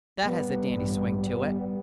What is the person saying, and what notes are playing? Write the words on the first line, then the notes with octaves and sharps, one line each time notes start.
"That has a dandy swing to it."
G3 B3
A1 G2 G3 B3
G3 B3